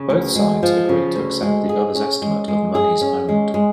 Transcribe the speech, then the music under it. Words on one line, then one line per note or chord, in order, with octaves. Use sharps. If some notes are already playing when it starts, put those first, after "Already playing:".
Both sides agreed to accept the other's estimate of monies owned.
Already playing: C#3
D2
G#3
F3
C#3
D2
G#3
G#4
C#4
G#3
G#3
G#4
C#4
G#3
G#3